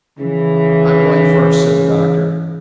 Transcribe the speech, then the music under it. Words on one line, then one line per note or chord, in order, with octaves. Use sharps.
"I'm going first," said the doctor.
C#3 E3